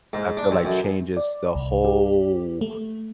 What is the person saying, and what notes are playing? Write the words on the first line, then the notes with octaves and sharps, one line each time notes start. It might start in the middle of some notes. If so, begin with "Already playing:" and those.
I feel like changes the whole
G#2
D4
F2
F#2
D5
C2
G4
A3